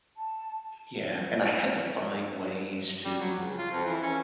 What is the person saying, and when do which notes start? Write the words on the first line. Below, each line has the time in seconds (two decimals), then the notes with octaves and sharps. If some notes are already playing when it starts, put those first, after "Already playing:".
Yeah, and I had to find ways to
0.17 A5
3.05 G3
3.20 F#3
3.38 C#2
3.58 F4
3.72 F2
3.86 E3
4.03 C#4